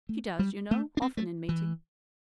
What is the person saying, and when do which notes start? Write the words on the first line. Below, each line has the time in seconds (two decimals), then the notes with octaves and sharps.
"She does, you know, often in meeting."
0.09 A3
0.39 G3
0.71 A3
0.97 D4
1.02 C4
1.17 A3
1.49 E3